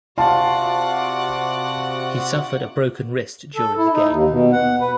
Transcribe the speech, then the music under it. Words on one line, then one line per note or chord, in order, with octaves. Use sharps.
He suffered a broken wrist during the game.
C3 F4 F#4 D5 F#5 A5
A4
E4
D#4
D#2
B2
F#5
B4